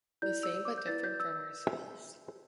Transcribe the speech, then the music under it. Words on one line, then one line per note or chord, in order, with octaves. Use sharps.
The same but different from ourselves.
E4 G4 D5 G6
E6
D6
G6
E4 B4 D5 A6
G6
E6